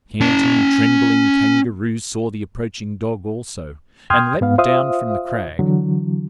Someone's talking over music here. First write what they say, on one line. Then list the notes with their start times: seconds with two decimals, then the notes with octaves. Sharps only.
The panting, trembling Kangaroo saw the approaching dog, also, and leaped down from the crag.
0.21 C#4 A5
4.10 G5 C6 D#6 F6 G6 G#6
4.41 G#2 B3 F5
4.58 F4 C5 E5 F5 D#6
5.59 D3 E3 F#3